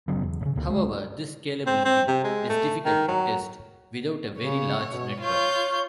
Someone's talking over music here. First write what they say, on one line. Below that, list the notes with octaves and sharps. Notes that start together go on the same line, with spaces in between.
However, this scalability is difficult to test without a very large network.
F#1 C#3 F#3 B3
E2
A2 C#3
D#1 C#2 A#3
G#3
C4
C4
C3
G#3
A3
D#3
F#3
C#3 C#5
B2
F4 C#5 G6